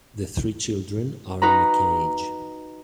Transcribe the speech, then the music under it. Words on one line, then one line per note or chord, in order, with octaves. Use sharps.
The three children are in a cage.
D#4 F#4 B4 A#5